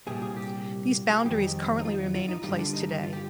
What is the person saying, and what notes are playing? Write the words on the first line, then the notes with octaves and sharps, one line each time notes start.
These boundaries currently remain in place today.
C2 A#2 G3 G#4
G#4
G4
G#4
F2 D#3 G3 G4
D#4
F4
F4
D#4
G2 D3 G3 F4
D4
D#4
F4
G4